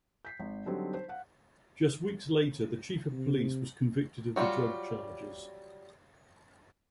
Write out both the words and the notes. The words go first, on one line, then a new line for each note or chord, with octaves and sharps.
Just weeks later the chief of police was convicted of the drug charges.
G6 B6 C7
G#1
D3 F#3 G3 C4 D#4
C5
F5 F#5
C3
F#3 G3 C4 F4 F#4